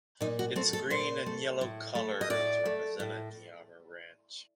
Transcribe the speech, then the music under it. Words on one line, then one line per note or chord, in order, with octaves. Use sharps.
Its green and yellow colors represented the armor branch.
A#2 D#4
F#4
A3 C4
A4
A#2 C5
A3
A2
A3
D#5
A2 D5
A3
A2